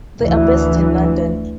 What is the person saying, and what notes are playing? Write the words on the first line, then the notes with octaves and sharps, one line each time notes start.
They are based in London.
D2 E3